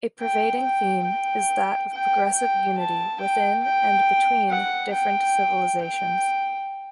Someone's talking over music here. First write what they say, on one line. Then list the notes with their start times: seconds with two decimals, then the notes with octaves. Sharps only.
A pervading theme is that of progressive unity within and between different civilizations.
0.20 G5
0.63 G5
1.05 G5
1.92 G5
2.34 G5
2.78 A5
3.21 G5
3.64 G5
4.50 F#5
4.94 G5
5.79 G5